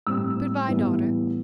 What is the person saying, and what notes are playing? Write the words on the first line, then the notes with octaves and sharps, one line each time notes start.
Good-bye, daughter.
A2 G3 C4 E6
A2 E3 G3 B3